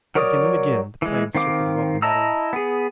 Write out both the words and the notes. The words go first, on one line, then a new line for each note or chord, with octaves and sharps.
Again and again the plane circled above the meadow.
F#3 A#4 C#5 D5 D#6
E3 G#3
D#3 C4 F5 D6
E4 D#5 A5 A#5 E6
B3 G#4